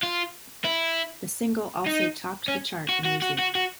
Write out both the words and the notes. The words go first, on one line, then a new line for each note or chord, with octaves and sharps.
The single also topped the chart in New Zealand.
F4
E4
D#4
C#4
F#4
F#4
F#4
F#4
F#4